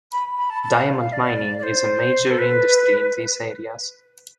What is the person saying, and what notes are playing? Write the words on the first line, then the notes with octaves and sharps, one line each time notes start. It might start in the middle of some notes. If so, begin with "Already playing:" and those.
Diamond mining is a major industry in these areas.
B5
B5
A5
A5
F5
F5
D5
D5
C5
A4
B4